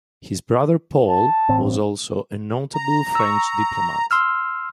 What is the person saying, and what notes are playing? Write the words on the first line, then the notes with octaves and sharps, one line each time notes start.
His brother, Paul, was also a notable French diplomat.
A5
A1 A2 C4
A#5
C#6 E6
C6 E6 F6